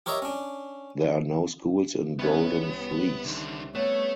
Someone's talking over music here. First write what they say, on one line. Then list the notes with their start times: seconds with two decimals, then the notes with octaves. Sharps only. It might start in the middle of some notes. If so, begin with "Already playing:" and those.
There are no schools in Golden Fleece.
0.06 G4 A#4 C#5 D#5 E5 A#5
0.22 C#4 D4
2.19 C2 B3 C#4 C#5
3.25 D3 D#3
3.75 A3 B3 C#5